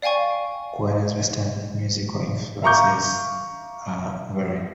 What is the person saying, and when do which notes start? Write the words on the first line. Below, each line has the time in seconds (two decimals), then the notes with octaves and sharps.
Kuwata's Western musical influences are varied.
0.02 D5 F5 G5 G#5 C#6
2.62 E5 F5 A#5 C#6 D6 G6